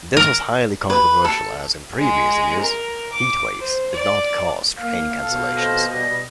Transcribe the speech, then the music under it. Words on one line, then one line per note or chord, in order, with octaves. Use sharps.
This was highly controversial as, in previous years, 'heatwaves' did not cause train cancellations.
A#4
B4
A4
G#3
A#4
D6
C5
D5
A#3 F5
B2 A4
F2 A4 C5 D#5
G3 D#5